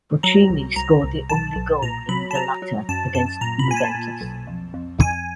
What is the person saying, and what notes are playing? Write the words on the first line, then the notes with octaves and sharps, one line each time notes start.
Bochini scored the only goal in the latter against Juventus.
F#3 A#5
C2
C2 A#5
C2
B1 A5
B1
A#2 A#5
F#3 B5
A5
F#3 A#5
F#3
F#2 A5
F#2 A5
A#2 A#5
B5
A#2 G#5
A5
A#2
B1
F2
F2
F2 G#5